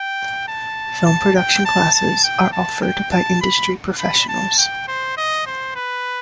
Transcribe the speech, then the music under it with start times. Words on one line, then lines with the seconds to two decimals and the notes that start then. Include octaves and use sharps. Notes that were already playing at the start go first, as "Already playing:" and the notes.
Film production classes are offered by industry professionals.
Already playing: G5
0.48 A5
1.06 A5
1.36 G5
1.65 A5
1.94 A5
2.24 G5
2.52 A5
2.82 G5
3.11 A5
3.41 B5
3.99 B5
4.28 A5
4.58 G5
4.88 C5
5.17 D#5
5.46 C5
5.76 B4